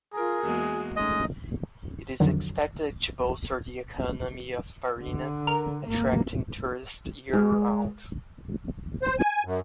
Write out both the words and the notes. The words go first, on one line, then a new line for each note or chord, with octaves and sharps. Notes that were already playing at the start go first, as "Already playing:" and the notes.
It is expected to bolster the economy of Marina, attracting tourists year-round.
F4 G#4 A#4
E2 G#3 A#3 F#4
G#3 A3 C#4 D#4 D#5
F2 D3 D#3 F3 F#3
D3
A#4
G#1 A#3
G#3
C5
G#5
F#2